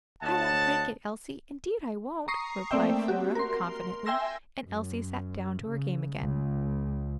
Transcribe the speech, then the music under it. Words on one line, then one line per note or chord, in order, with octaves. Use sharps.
"I won't break it, Elsie, indeed I won't," replied Flora, confidently; and Elsie sat down to her game again.
D2 C#5 D#5 F#5 A5
A#5 C#6 D#6 C7
A3 A#3 C4 D5 E5 G5
F#4 G4
A#4 C6
E5 G5 G#5 C6 E6 A#6
F#2
C#3
C#2